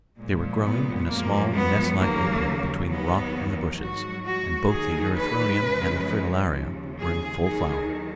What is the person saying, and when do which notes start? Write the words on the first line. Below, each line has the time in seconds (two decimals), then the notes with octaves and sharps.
They were growing in a small, nestlike opening between the rock and the bushes, and both the erythronium and the fritillaria were in full flower.
0.19 A#2 F3 G#3
0.63 B3
1.09 F#2 F3 G#3 A#3
1.55 B3
1.99 D#2 C#3 F#3 A#3
2.90 D#2 D#3 F#3 B3
3.80 G#2 F#3 F#4
4.26 F#4
4.71 D#2 D#3 F#3 G#4
5.17 B4
5.62 F#2 C#3 F3 G#3
6.52 D#2 C#3 F3
6.98 G#4
7.43 D#2 D#3 F#3 G#4